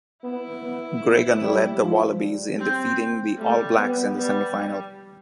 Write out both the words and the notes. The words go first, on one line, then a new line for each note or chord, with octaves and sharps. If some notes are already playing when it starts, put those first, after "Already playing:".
Gregan led the Wallabies in defeating the All Blacks in the semi-final.
B3 E4
B3
B3
G3
F3
G3
C4
G3 A3
B3
G3